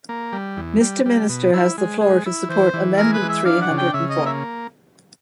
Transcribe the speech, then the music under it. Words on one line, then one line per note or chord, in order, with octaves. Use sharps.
Mr Minister has the floor to support amendment three hundred and four.
A#3
G3
E2
G3
G3
B2
E4
G#3
G#3
E4
E3 C5
E3
G#3 A#4
B4
E3
E5
D4 F5
F#5
C#3
G5
C#3 E5
D#5
A#3
E5